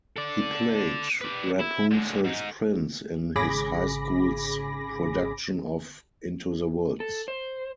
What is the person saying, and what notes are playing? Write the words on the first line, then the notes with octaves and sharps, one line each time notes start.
He played Rapunzel's prince in his high school's production of "Into the Woods".
A4 D5
B4 D5
E4
D3 G#3
G#2 D#4
G#1 C#3 G#4 B5 D6 A#6
A4
C5